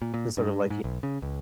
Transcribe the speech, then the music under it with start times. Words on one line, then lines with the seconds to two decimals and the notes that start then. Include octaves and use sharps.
to sort of, like, you
0.02 A#2
0.14 A#2
0.37 G2
0.70 G#2
0.84 B1
1.03 C#3
1.22 C#2